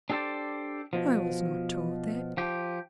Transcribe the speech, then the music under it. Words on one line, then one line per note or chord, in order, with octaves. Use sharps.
"I was not told that."
D4 G4 A4 C5 D5
B2 F3
F3 G4